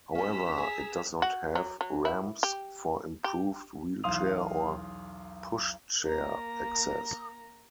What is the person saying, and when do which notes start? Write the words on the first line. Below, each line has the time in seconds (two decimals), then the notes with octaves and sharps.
However, it does not have ramps for improved wheelchair or pushchair access.
0.15 F2 C#4 A#5 E6 B6
0.58 G#4
1.22 F#4
1.55 F#3
1.81 F#3
2.05 E4
2.43 G4
3.24 G4
4.04 B1 E2 F5 C6 D#6 F7
6.03 A#3 A#5